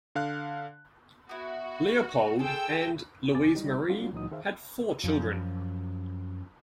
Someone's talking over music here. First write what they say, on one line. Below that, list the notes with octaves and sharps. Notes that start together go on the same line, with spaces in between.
Leopold and Louise-Marie had four children.
D3 F5 F#6
B3 E4 F#4
G#4 A4 C5 G5 E6
F2 C3 G#5 D6 A6
G3 D#4 G4
F#3 G3 C4 D4 F4 F#4
C#2 A#2 E3 F#3 D#4 D#6
D#3 G#4 C5 E5 F5
F#2 F3